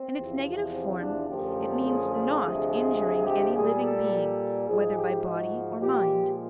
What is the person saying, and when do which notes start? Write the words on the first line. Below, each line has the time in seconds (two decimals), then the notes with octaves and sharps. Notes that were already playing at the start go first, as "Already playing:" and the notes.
In its negative form it means not injuring any living being whether by body or mind.
Already playing: C4
0.15 E2 C3 F3
0.72 C4
1.00 D4
1.28 F#2 D3 F3 A3 G4
1.84 G#4
2.12 G#4
2.41 D2 C3 F3 G#3
2.69 G#4
3.26 G4
3.54 A#2 G3 G#4
3.82 A4
4.10 A4
4.66 G#2 F3 G#3 G#4
4.96 G4
5.23 F#4
5.79 A#2 F3 G#3 G4